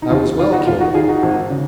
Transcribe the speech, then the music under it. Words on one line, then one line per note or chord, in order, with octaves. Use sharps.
I was well cared for.
D#4
D#2 F4
D#3 F4
D#4 F#4
D#2 F4
D#4 F#4
D#3 F4 G#4
D#4 F#4
G#1
C#3